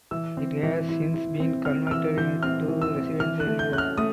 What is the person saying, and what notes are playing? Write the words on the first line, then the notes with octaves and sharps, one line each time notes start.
It has since been converted to residential use.
E3 E6
C4
E3
E4
E4
C4
C4 F6
F6
E3 E6
E3 G6
C4 F6
E3
E6
C4
E3 F6
F#6
A3
G6
C#4 F#6
F6
A3 D#6